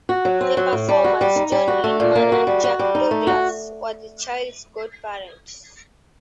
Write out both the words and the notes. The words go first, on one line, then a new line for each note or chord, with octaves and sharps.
The performers John Inman and Jack Douglas were the child's godparents.
F#4
F#3
C4
F#3
A2
G3
F#4
G3
D#4
G3
F#4
A3
A#2
A#3
F#4
G3
F#4
G3
D#4
A3
F#4